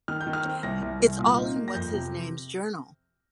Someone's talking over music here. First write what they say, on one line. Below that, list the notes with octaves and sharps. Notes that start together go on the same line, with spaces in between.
It's all in what's-his-name's journal.
D#3 F6
G6
D#3
F6
C4
C2 A#6
C2
C2
A#2
D#4
A#3
A#6
F2 G6
C3